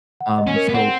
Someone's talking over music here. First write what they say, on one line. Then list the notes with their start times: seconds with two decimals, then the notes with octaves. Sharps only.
um, so
0.21 F#5
0.38 D#5
0.47 C#4
0.56 A#4
0.69 B3
0.74 C4 F#5